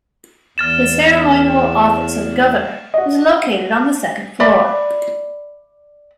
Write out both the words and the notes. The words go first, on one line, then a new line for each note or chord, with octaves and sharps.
The ceremonial office of the governor is located on the second floor.
E2 F6 A6 E7
F#4 D#5
D5 E5 B5